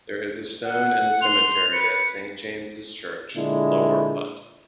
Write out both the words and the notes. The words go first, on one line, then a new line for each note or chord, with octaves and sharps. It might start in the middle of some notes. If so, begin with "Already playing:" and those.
There is a stone in the cemetery at Saint James's Church, Lower Hutt.
F#5
C6 F7
B4 C#7
A#2 D3 G#3 E4